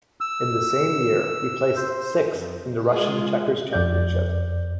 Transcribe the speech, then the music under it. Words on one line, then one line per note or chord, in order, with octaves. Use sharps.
In the same year, he placed sixth in the Russian Checkers Championship.
E6
C5
F2
G#3 F4 G#4
F2 D5 G6